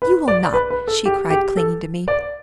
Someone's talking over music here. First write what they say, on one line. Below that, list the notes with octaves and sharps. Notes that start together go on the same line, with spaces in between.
"You will not!" she cried, clinging to me.
B4
D5
B4
B4
A4
G4
G4
A4
D5